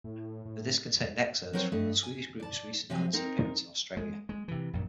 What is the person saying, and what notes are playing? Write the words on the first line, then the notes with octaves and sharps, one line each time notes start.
The disc contained excerpts from the Swedish group's recent concert appearance in Australia.
A2
A2
F#3 C4 A#4 C5 C#5
G2 A3 D#5
G#5
D5 A5
C3 F3 F#3 C4 G4 G#5
C4 D#4 A#4
G#3
G#3
C3 E3
A#1 F#2 A#2